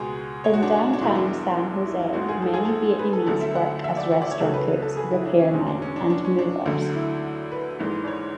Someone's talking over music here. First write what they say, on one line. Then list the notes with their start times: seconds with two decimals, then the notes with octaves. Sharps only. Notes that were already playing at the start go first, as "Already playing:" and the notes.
In downtown San Jose, many Vietnamese work as restaurant cooks, repairmen and movers.
Already playing: C#2 B2 G#3 G#4
0.44 C#5
0.54 F#4
0.63 D4
0.93 D4
1.01 E1 E2 B2 G#3 E4
1.15 D4
1.85 E4
1.99 E4
2.13 A1 G#2 G#3 F#4
2.29 G#4
2.42 A4
2.54 G#4
2.65 A4
2.99 B4
3.13 A4
3.26 D2 D3 F#3 A4
3.41 E5
3.55 F#5
3.84 E5
3.97 D5
4.11 F#5
4.22 D5
4.31 C#5
4.39 C#2 C#3 F#3 A4
4.54 B4
4.82 A4
4.97 G#4
5.11 E4
5.25 D4
5.39 C#4
5.53 E2 B2 G#3 C#4
5.67 D4
5.82 C#4
5.96 D4
6.10 D4
6.24 C#4
6.39 D4
6.66 D2 D3 F#3
6.94 E4
7.52 B4
7.79 G#1 G#2 E3 G#3
8.04 D5
8.07 C#5